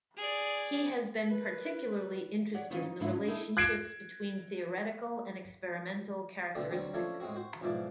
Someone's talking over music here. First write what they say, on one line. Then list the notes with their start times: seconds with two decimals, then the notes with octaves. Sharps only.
He has been particularly interested in the relationships between theoretical and experimental characteristics.
0.17 G#4 D5
1.28 A#4 B4
2.54 C#5 D5 F#5
2.70 D#3 E3 F#3 B3 C#4 F4
2.82 D#4
3.00 G#2 D3 F3 E4 F4
3.12 C#4
3.27 D#4 E4 G#4 A4
3.57 F#6 G#6 C7 D7 E7
6.55 B2 D3 A3 C4 D4 A4
6.70 D2 F#3 G3 C4
6.94 F3 A3 C#4 D4 A4 C#5
7.20 A2 G#3 C4 F#4
7.36 F#4 C5
7.62 B1 G#2 B2 F3 E4 D5